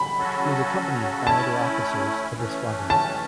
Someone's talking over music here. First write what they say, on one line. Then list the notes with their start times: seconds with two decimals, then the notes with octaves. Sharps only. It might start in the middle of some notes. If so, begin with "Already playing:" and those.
He was accompanied by other officers of the squadron.
Already playing: B5
0.18 C#3 F#3 C#4 F#4 A4
1.27 A3 C#4 E4 A5
2.35 E3 A3 C#4
2.90 A5